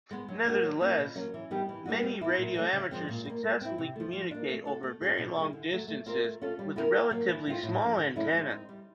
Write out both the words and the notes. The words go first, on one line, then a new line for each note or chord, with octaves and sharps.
Nevertheless, many radio amateurs successfully communicate over very long distances with relatively small antennas.
G#3 B3
F#3
A#3 D4 F#4 A#4
F#3
A#3 C#4 F4
B2
F#3 A#3 C#4
E3
G3 B3 D#4 G4
E3
G3 A#3 D4 F#4
G3
B3 E4
A#2
F#3 A3 C#4
C#3
F3 G#3 C4
A#2
G3
A#3
G#3
C4 E4
C3
F3 A3
F3
A#3 D4
A3
D4 F#4 A4
A3
C#4 F4 G#4
B2
G3 B3 E4 G#4
D3
F#3 A3
A3
C4 F4 A#4
A3
C#4 F4 A4
G3
B3 E4 G4 A#4
D#3
F#3 A#3
E3
A3 C4 F4
A2
F3 A3 D4
D3
F#3 A3 C#4 E4
G#3
C4 D#4
G3